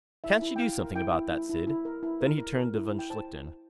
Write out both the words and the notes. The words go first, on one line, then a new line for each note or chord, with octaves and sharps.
"Can't you do something about that, Sid?" Then he turned to von Schlichten.
E4 E5
E4
G5
E4 F5
A#4
E4 G5
E4
E4
E4
E4
A#4
E4
A#4
A#4
A#4
E4
E4
G5
C5 A5